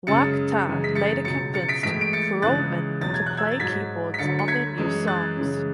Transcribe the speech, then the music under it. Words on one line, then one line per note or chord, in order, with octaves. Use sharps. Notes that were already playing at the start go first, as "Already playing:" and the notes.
Waaktaar later convinced Furuholmen to play keyboards on their new songs.
F#2 C#3 G#3 A6 C#7
F#2 C#3 E3 G#3
B6
A6 C#7
C#2 B2 F#3 A6 C#7
A6 C#7
B6 D7
A2 E3 G#3 B6 D7
D7
A6 C#7
C#2 C#3 E3 G#3 F#6 A6
E2 B2 F#3 A6
G#6
F#6
E6 G#6
A6
G#2 F#3 G#6 B6
B6
D2 D3 F#3 A6 C#7
C#7
G#6 B6
F#2 E3 G#3
F#6 A6
F#2 C#3 E3 G#3